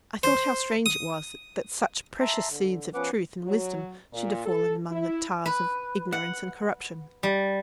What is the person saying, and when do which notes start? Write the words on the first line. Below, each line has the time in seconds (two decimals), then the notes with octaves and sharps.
I thought how strange it was that such precious seeds of truth and wisdom should have fallen among the tares of ignorance and corruption.
0.23 C5
0.86 D#6
2.21 E5 A5 A#5 C6
2.48 D3
2.94 F3 B3 C#4 B4 F#5 D6
3.47 F#3
4.13 A#2
4.46 A4
4.91 E4
5.46 B4
6.12 F#5
7.23 G3